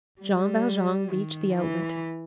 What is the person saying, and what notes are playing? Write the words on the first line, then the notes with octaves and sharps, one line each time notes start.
Jean Valjean reached the outlet.
G3
D#3
E3